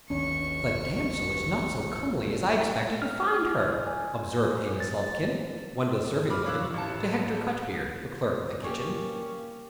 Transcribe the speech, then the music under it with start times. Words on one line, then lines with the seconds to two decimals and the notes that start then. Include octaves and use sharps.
"The damsel is not so comely as I expected to find her," observed Amice Lovekyn, one of the serving-women, to Hector Cutbeard, the clerk of the kitchen.
0.10 G#1 D#2 C#4 D4 C#6
3.02 F6
3.87 G#5
4.80 A6
6.30 B5 D6 F6
6.46 C#5 F5 D6 E6 F#6
6.74 A1 A5
8.62 A#3 C#4 G4 C#5 D5